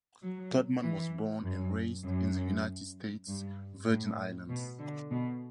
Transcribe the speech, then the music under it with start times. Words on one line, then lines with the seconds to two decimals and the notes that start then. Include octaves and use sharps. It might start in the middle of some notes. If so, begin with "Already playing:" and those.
Todman was born and raised in the United States Virgin Islands.
0.23 F#3
0.83 E3
1.44 F#2
2.05 F#2
3.27 G2
3.88 A2
4.49 B2
4.79 D3
5.11 B2